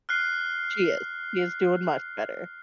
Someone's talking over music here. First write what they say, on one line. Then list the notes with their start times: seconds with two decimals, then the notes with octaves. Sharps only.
She is, she is doing much better.
0.09 F6 F#6 C7